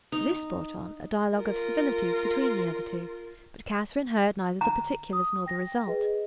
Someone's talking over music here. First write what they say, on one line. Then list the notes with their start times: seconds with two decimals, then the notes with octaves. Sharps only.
This brought on a dialogue of civilities between the other two; but Catherine heard neither the particulars nor the result.
0.12 D#4
1.37 F4 A#4
4.61 A#5
5.13 D#6
5.46 G5 A#6
5.87 G#4 B4 D#5